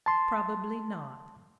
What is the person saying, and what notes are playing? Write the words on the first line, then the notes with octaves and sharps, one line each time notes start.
Probably not.
A5 C6